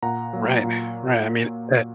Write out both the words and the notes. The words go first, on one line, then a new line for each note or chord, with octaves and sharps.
Right, right. I mean, at
A#2 F#5 A#5
F#3 A#3
A#2